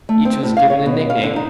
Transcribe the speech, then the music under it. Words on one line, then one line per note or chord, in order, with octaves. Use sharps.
Each was given a nickname.
A3
C4
A2
F5
C#5
B2
F5
D3
D#4